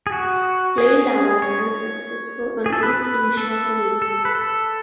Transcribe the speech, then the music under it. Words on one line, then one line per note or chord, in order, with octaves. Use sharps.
"Layla" was unsuccessful on its initial release.
G#4
F#4
G#4
C#5
G#4
A4
B4
B4
A4
A4
B4
A4